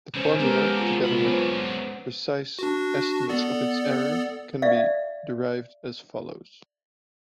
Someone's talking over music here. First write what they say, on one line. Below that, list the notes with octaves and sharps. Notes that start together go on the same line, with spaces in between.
The formula, together with precise estimates of its error, can be derived as follows.
C#3 G3 C4 C#4 C5
G#3 A#3 B3 G4 A4 A#4
F4 G#4
C3 B5
F#3 B3 D4 C5 C#5
D4 F#4
B3 A4 D5
D5 E5 F5